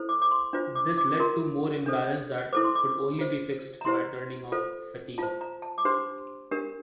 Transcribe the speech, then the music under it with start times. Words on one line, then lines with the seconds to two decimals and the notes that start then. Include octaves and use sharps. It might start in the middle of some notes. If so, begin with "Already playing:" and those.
This led to more imbalance that could only be fixed by turning off fatigue.
Already playing: E4 A4 C5
0.09 D6
0.22 D6
0.31 C6
0.53 D4 F4 C5
0.75 D6
0.98 D6
1.20 F4 A#4 C6
1.86 D4 A4 C5
2.53 E4 A4 C5 D6
2.64 C6
2.75 D6
3.19 F4 C5
3.81 A#5
3.85 E4 G4 C5 C6
4.52 F4 A4 C5
5.18 F4 C5 A5
5.41 A#5
5.62 A5
5.78 D6
5.85 D4 G4 C5 C6
6.51 D4 G4 A#4